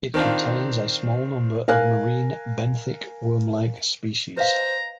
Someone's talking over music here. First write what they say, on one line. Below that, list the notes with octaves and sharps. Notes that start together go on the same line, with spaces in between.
It contains a small number of marine benthic worm-like species.
D#3 C4 D4 F4
A#4 F5 G#5 F#6
B4 C5 D#5 F5 A#5